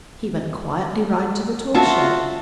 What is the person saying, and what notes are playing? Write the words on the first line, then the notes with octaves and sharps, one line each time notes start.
He went quietly round to the tool shed.
F4 F#4 E5 A5